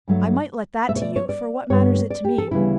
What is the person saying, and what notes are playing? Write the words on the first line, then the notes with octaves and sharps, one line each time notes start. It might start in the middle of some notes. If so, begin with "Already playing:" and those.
I might let that to you, for what matters it to me?
G2 F#3 A3
B2 A3 E5
C#5
D5
C#5
D5
G2 D3 G3 B3 C#5
D5
G4
A4
D2 C#3 E3 G3 B3 E4